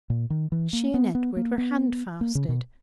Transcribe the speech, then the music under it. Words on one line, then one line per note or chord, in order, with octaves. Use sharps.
She and Edward were handfasted.
A#2
D#3
E3
A#3
B3
B3
A#3
B3
A#3
C#3
B2